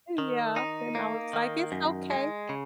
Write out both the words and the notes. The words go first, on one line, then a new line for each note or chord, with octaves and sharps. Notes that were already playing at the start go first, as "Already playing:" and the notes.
And, yeah, and I was like, "It's okay."
D#3
D#4
A#3
D#3
F#2
G#3
C#3